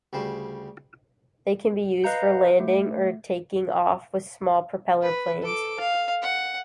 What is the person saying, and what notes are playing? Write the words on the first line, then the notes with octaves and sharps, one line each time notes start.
They can be used for landing or taking off with small propeller planes.
D2 C#3 G3 C5
B4 D#5 F5 A#5 G6 C#7
A3
B4
A4 D6
F5
F#5